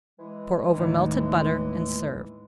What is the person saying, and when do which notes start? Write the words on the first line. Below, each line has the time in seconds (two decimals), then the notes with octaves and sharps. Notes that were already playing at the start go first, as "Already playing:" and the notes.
Pour over melted butter and serve.
0.19 E3 G#3
0.77 D#2 A2 D#3